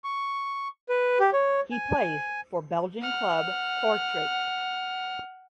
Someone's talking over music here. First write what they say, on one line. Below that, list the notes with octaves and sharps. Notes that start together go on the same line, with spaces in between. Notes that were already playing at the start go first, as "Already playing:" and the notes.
He plays for Belgian club Kortrijk.
C#6
B4
G4
C#5
G#5
F#5 F6